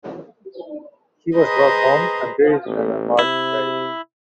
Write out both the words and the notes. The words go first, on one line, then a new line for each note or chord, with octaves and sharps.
He was brought home and buried in an unmarked grave.
G#4 B4 C5 D#5 A#5
A1
C3 E4